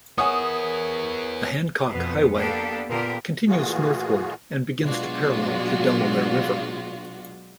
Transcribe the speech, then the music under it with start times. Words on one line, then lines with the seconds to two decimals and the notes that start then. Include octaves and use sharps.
The Hancock Highway continues northward and begins to parallel the Delaware River.
0.18 B3 A#4 C#5 E5 F#5 G#5 D#6
1.88 F2 B2 B3
2.34 A#3 B3 D4 G4 A4
2.89 A#2 D3 B3 G4 A#4
3.48 A#2 E3 A3 F4 F#4 G#4
4.82 B2 F#3 G#3 D4 F4 F#4